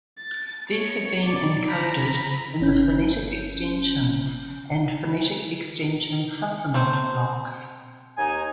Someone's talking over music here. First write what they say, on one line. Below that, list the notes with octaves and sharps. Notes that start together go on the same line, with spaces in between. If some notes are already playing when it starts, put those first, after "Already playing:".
These have been encoded in the "Phonetic Extensions" and "Phonetic Extensions Supplement" blocks.
A6
C#5 C#7
D5
A#5 B5
G1 C#4 G6
F#3 A3 C4
D#2 D#4 G#5